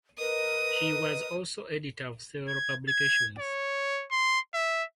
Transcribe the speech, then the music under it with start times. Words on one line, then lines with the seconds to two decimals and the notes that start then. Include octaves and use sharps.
She was also editor of several publications.
0.19 A#4 B4 D#5 D#6
2.48 G#6
2.89 G#6
3.39 C#5
4.11 C6
4.54 E5